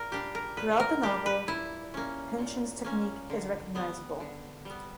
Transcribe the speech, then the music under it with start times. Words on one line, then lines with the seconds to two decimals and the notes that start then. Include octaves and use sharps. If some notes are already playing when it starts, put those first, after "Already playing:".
Throughout the novel, Pynchon's technique is recognizable.
Already playing: A#2 A#4
0.12 G3 A#3 D4 G4
0.35 A#4
0.57 A#2 B4
0.80 A#4
1.03 G3 A#3 D4 G4
1.26 B4
1.47 A#2 E4
1.94 A#3 C#4
2.38 A#2
2.84 A#3 C#4
3.30 D3
3.75 G3 B3
4.20 D3
4.65 G3 B3